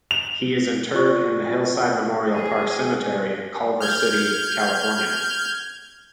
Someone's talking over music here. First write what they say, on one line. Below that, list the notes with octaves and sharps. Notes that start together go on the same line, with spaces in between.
He is interred in the Hillside Memorial Park Cemetery in Culver City, California.
F7
F4 D5 C#6
G#4 G#5
F6 G6 G#6